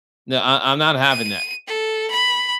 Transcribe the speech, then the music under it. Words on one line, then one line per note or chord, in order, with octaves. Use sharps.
n I I'm not having that."
D#7
A4
B5